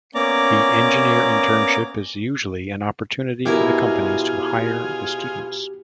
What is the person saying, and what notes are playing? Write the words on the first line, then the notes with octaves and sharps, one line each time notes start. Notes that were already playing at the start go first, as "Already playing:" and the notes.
The engineer internship is usually an opportunity for the companies to hire the students.
A#3 B3 C#4 D5 A#5 D6
B2 E4 F4 G4 G#4 A#4